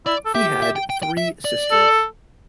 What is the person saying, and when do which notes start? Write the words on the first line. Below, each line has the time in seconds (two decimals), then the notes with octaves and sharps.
He had three sisters.
0.06 E4 D5
0.25 A4
0.34 G4 E5
0.62 E5
0.76 G5
0.90 G5
1.03 G5
1.17 E5
1.45 D5
1.71 A4